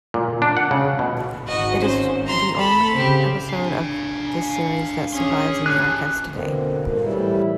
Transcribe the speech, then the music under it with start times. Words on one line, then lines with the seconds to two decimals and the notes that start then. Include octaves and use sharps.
It is the only episode of this series that survives in the archives today.
0.14 A#2
0.42 D4
0.57 F#5
0.71 C#3
0.99 B2
1.47 G#1 F#4 D#5
1.78 C#4 C5
2.27 A#5 C6
2.56 A4 B5
2.93 C#3 C4 G4
3.49 D4 F5 G#5
5.13 C#4 G#4 C#5 C6
5.66 G4 A4 F#6
6.32 B2 D3 A#3 C4
6.84 G#2 B2 D#3 A#3
7.04 A2 E3 G3 E4